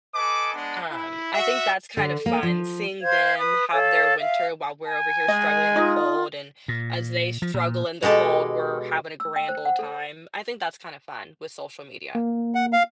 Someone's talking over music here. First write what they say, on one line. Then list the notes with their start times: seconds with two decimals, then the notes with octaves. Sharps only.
um, I think that's kind of fun seeing them have their winter while we're over here struggling in the cold, and as they struggle in the cold, we're having a grand ole time. I think that's kinda fun with social media
0.14 A4 B4 D#5 G#5 D6
0.54 G#3 B3 D4
0.90 E4
1.33 F#4 E5
1.97 D3
2.26 A#3
2.43 F3
3.00 C5 F5 G#6
3.37 B4 D#6
3.72 A4 C#5 F5
4.19 E5 F5
4.86 G#5
5.28 G#3 D#5
5.76 D#4 F4 D#5
6.68 A#2
7.42 F3
7.54 A#2
8.03 B2 G#3 G4 A4
9.20 E6
9.36 G5
9.49 C5
9.65 F#5
9.79 A4
12.15 A#3
12.55 F#5
12.73 F5